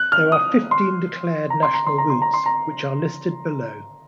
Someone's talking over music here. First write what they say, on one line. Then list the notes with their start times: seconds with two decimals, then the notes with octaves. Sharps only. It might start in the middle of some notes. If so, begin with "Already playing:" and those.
There are fifteen declared national routes, which are listed below.
Already playing: F#6
0.12 F6
0.32 D#6
0.71 C6
1.50 A#5
1.63 C6
1.74 A#5
1.87 C6
1.98 A#5
2.10 C6
2.22 A#5
2.34 C6
2.46 A#5